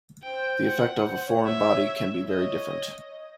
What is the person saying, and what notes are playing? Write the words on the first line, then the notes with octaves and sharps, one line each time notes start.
The effect of a foreign body can be very different.
C5 G5
F#5
C5
C#5
C#5 E5
C#5 D#5
D#5